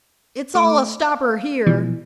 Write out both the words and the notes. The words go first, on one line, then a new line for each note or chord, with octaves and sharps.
"It's all a stopper here."
A3 D6
F5
B2 E3 F3